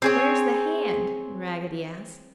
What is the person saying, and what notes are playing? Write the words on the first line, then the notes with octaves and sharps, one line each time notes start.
"Where's the hand?" Raggedy asked.
C4 G#4 C#5